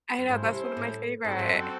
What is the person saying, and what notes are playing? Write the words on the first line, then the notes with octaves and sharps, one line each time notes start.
I know, that's one of my favorite.
F#2
G#2 C#4 E4 A4 C5
C3
A2
G#2 C4 F#4 A4 C5
A2
G#2
F#2